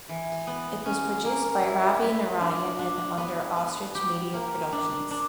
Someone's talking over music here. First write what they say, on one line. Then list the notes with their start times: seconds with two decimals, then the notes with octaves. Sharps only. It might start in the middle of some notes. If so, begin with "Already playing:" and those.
It was produced by Ravi Narayanan under Ostrich Media Productions.
0.09 E3
0.47 B3
0.86 C#4
1.25 A#3
1.63 E4
2.02 B4
2.41 D4
2.79 D4
3.18 B3
3.57 B3
3.95 G4
4.33 A#3
4.72 D4
5.11 D4